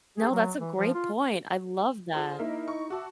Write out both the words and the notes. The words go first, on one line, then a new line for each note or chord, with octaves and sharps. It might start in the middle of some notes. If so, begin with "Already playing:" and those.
No, that's a great point, I love that.
G#4
F#3
E3
F3
F4
F4 G#4 C5
A#3 D#4 E4 A#4 D#5 E5
C#6
F#4 E5 A5 D6 E6